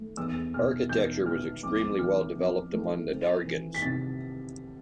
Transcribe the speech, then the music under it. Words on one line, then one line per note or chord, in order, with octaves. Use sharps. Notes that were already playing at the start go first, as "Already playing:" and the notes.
Architecture was extremely well developed among the Dargins.
Already playing: A3
E2 E6
B2 F6
E2 G6
B3 F6
F2 D6
E3 F6
F2
A3
C4
E3
B6
C3 A6